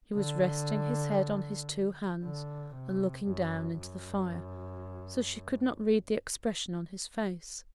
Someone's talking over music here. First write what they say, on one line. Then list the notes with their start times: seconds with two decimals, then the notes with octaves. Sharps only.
He was resting his head on his two hands, and looking down into the fire, so she could not read the expression on his face.
0.16 D3
2.23 D3
2.75 C3
3.27 F#2
3.79 F#2